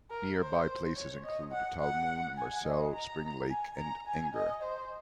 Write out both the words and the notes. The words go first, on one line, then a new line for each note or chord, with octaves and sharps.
Nearby places include Talmoon, Marcell, Spring Lake, and Inger.
A#4
C5
C#5
D#5
F#5
F#5
G#5
D#5
A#5
G#5
A#5
G#5
D#5
C5